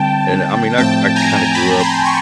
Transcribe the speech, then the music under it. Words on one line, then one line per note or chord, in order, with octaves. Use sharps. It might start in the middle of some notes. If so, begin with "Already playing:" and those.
and I mean, I I kinda grew up
Already playing: D3 G3 C4 G5 A5
A2 F3 A3 C4 G5 A5
G#5 A#5
A5 B5
A#5 C6
B5 C#6